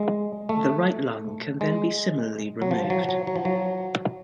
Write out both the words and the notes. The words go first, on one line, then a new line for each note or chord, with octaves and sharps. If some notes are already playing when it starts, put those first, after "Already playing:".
The right lung can then be similarly removed.
Already playing: G#3
A3
G#3
F#3
F3
F#3
F#3
F#3
F3
F#3